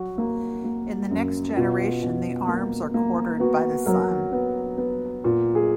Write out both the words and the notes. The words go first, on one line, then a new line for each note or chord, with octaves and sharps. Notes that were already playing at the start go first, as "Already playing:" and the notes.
In the next generation the arms are quartered by the son.
Already playing: F#3 F#4
A#3
A#3
F#2
B2 F4
B2
A#3
A#3
B3 F#4
F#3 A#4
B3
B3
A#2
G#4